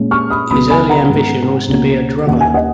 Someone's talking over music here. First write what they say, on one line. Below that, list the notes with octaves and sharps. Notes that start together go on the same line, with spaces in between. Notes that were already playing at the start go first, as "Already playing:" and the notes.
His early ambition was to be a drummer.
Already playing: A#2 G#3 C#4
C#6 F6
B5 D#6
C#2 B2 F#3 B3 B5 D#6
G#5 B5
F#5 A#5
G#2 D#3 G#3 B3
C#2 B2 A#3 C#4
D#2 D#3 A#3 C#4 F#5
G#5
D#5 F#5